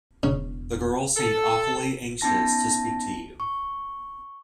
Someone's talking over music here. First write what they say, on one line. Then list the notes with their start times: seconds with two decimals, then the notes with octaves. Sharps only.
The girl seemed awfully anxious to speak to you.
0.23 E1 C#3
1.17 A4
2.21 B3 C#4 D#4 A5 A#6
3.40 C#6